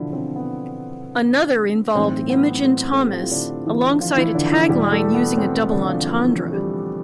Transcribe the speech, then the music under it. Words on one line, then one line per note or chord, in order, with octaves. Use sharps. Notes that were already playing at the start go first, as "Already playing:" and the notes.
Another involved Imogen Thomas alongside a tagline using a double entendre.
Already playing: B2 D3 E3 F3 D4 E4 F4
C4
B3
B1 A2 E3 C4
B3
C4
A4
G4
F4
E4
D3 D4
E3 E4
F3 F4
E3 E4
D3 D4
E3 E4
E2 B2 G3 G4
A3 A4
B3
C4
C4
D3 D4
F3 F4
F3 F4
E3 E4
G3 G4